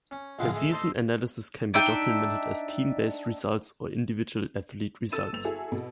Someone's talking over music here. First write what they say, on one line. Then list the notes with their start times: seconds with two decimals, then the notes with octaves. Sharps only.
A season analysis can be documented as team-based results or individual athlete results.
0.11 C#4
0.39 A#1 A2 D3 F3 G#3 A#3
0.53 G#3 A3
0.71 D#4 A4 C5 D#5
1.74 D4 D#4 E5 G5
5.12 A4 E6 A6 D#7 E7
5.33 G1 F7
5.44 E4 F#4 G#4 A4
5.72 B2